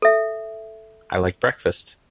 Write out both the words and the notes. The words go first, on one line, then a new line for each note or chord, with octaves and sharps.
I like breakfast.
A4 E5